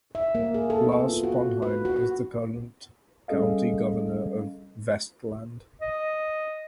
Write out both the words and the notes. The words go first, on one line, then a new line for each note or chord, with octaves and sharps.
Lars Sponheim is the current County Governor of Vestland.
E5
A#3
G#4
A4
B3
F4
F#4
B4
F#4
F#4
G3 C#4 G#4 A4 D#5 F5
D#5